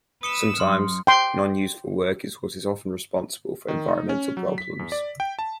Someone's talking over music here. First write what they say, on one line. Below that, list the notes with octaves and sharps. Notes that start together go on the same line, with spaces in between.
Sometimes, non-useful work is what is often responsible for environmental problems.
B4 D#6 E6 C#7 G7
F#2 C6 F6
G5 C6
D#3
D#4
C#4
F#3
B6
E2
D5
G5
A5